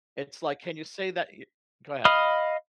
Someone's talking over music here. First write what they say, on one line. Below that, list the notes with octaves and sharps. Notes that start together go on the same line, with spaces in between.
It's, like, "Can you say that y" go ahead.
D#5 F5 B5 D#6 F6